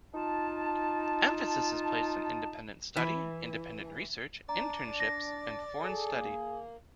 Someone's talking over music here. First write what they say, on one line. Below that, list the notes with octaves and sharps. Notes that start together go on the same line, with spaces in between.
Emphasis is placed on independent study, independent research, internships and foreign study.
D#4 F4 A5
E3
D4 D5 A#5
A#6
G#4 A4
A#3